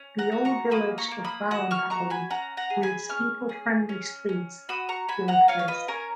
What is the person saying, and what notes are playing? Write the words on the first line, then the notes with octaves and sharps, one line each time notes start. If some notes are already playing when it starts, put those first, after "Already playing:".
The old village of Bowenpally with its people-friendly streets still exist.
Already playing: C#4
F#5 A#5
F#4
A#5 C#6
A#3 B5 D#6
A#5 C#6
A#3
B5 D#6
F#4 D#6 F#6
C#6 F6
F#4 A#5 C#6
G#5 B5
C#4 F#5 A#5
F#5 A#5
G#4
G#5 B5
C#4 C#6 F6
G#4
C#4
C#4
F#4 B5 D#6
A#5 C#6
F#4 G#5 B5
F#5 A#5
F4 C#5 F5
C#5
B4 D#5
C#4 A#4 C#5